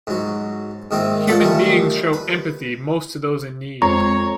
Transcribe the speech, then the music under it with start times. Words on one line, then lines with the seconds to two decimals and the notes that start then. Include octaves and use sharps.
Human beings show empathy most to those in need.
0.07 G#2 F#3
0.91 G#2 D#3 C4 E4
1.27 F4 A4 D5 F#5
1.40 D#3 E3 G3 A3
2.13 B4
3.82 F2 G#3 C4 C#5 A#5 C#6